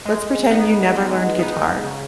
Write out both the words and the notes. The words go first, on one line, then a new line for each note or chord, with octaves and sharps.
let's pretend you never learned guitar,
G#3
B3 D#4
G#3
B3 D#4
C#3